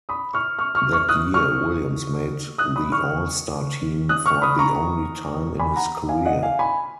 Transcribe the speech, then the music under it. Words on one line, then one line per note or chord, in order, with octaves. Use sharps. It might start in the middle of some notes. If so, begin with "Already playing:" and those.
That year, Williams made the All-Star team for the only time in his career.
B5 D#6
C#6 F6
C#6 F6
C#6 F6
C#6 F6
D#6 F#6
C#6 F6
D#6 F#6
B5 D#6
C#6 F6
D#6 F#6
C#6 F6
B5 D#6
A#5 C#6
G#5 B5
F#5 A#5
F5 G#5
D#5 F#5
F5 G#5
G#5 B5